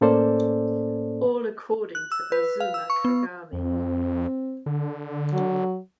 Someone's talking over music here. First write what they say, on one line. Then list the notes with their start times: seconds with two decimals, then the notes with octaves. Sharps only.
All according to "Azuma Kagami".
0.01 A2 A#3 C#4 A4 C5 D5
1.95 F#6
2.12 E6
2.32 B4
2.60 F5
2.74 E6
2.90 C#6
3.05 B3
3.53 F2 C4
4.66 D3
5.33 F#3